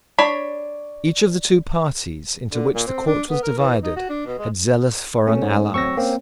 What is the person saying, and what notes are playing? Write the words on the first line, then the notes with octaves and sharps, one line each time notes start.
Each of the two parties into which the court was divided had zealous foreign allies.
D4 C#5 B5
D3
A#2
C4
D4
B3
A#4
E3
D#4
F#4
D4
B2
G#3
A3 C#4
G#2
F#3 C4 C#6 E6 A#6
A#3 C4 C#4